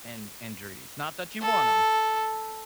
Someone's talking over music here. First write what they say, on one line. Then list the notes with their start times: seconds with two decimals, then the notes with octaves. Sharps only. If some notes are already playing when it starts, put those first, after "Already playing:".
an injuries. Not that you want 'em,
1.42 A4